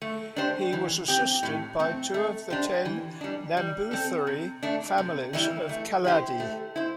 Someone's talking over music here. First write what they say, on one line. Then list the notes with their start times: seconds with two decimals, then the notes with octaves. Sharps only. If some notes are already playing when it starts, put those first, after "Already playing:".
He was assisted by two of the ten Namboothiri families of Kalady.
0.02 A3
0.36 D4 G4 C5
0.73 E3
1.08 C4 G4
1.43 A2
1.79 A3 C4
2.14 A3
2.50 D4 G4 C5
2.85 E3
3.21 G3 D4
3.57 G3
3.91 C4 A4
4.27 C3
4.63 A3 D4
4.98 C3
5.33 E3 G3 E4
5.69 A3
6.04 E4 G4 C5
6.40 A3
6.76 E4 C5